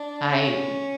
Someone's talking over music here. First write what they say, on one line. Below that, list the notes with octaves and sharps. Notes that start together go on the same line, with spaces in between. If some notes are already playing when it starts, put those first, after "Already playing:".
I, d
Already playing: D4
C#4